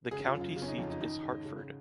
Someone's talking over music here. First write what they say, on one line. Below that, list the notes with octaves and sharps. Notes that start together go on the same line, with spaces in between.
The county seat is Hartford.
C#3 G#4
F4
F#2
F4
C#3 F4
C#4
D#4
F2 F4
D#4
D#3 D#4
G#2
C#3